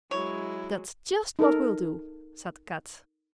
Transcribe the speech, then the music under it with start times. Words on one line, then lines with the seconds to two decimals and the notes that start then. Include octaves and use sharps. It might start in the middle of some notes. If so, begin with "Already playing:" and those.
"That's just what we'll do," said Kat.
0.11 F#3 G#3 E4 C#5
1.39 D#4 A4 A#4